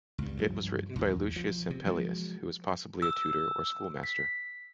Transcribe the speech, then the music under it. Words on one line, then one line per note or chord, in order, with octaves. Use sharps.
It was written by Lucius Ampelius, who was possibly a tutor or schoolmaster.
C#2 G2
G2 F3
B1 E2
F3
C3
F3 F#3 G#3
E6
B6